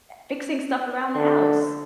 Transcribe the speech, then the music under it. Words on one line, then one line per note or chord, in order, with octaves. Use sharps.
e fixing stuff around the house
D3